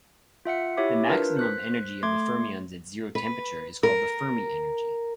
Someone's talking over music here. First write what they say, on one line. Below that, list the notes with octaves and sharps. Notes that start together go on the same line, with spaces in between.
The maximum energy of the fermions at zero temperature is called the Fermi energy.
F4 E5 F#5 C#7
E4 G4 C#5 E5 D6
D4 F4 A#4 B4
C5 F#6 B6
A3 C6 D6 G#6
B4
A#4